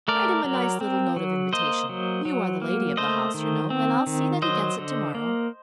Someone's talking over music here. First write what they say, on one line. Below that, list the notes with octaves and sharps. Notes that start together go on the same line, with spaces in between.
"Write him a nice little note of invitation--you are the lady of the house, you know--and I'll see that he gets it tomorrow."
A3 A#4 D5
F#3
C4
F#3
A#3 C5 D#5
F#3
F#3
A#3
A3 C5 D#5
D#3
C4
D#3
F#3 C5 D#5
D3
A#3